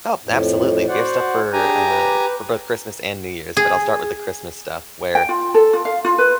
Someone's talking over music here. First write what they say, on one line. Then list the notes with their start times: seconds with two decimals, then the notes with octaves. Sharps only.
Oh, absolutely. We have stuff for, uh for both Christmas and New Year's, but I'll start with the Christmas stuff where,
0.23 F2 A2
0.88 F#4 C5 D5 F#5
1.53 D4 G4 G#4 G#5 A#5
1.89 B4
3.57 G#4
5.15 G5
5.29 F4
5.54 A4
5.73 F4
5.85 F5
6.05 F4
6.18 B4